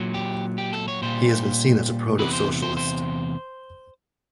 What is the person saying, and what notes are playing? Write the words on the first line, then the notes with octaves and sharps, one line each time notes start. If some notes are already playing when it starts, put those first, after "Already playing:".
He has been seen as a proto-socialist.
Already playing: A#2 F#3
G4
G4
A4
C#5
A#2 G3 C5
E2 C3 E3 B4
C5
C5
C5